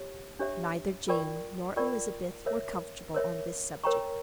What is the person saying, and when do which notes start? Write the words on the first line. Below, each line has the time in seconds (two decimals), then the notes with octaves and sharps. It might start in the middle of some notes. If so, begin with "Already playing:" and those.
Neither Jane nor Elizabeth were comfortable on this subject.
Already playing: G4 C#5
0.39 D4 G4 C#5 E5
1.08 F4 A#4 D5 G5 C#6
1.76 F4 A#4 D5 G5 C#6
2.46 A#4 C#5 E5
3.14 A#4 C#5 E5
3.84 A#4 C#5 G5 A#5 C#6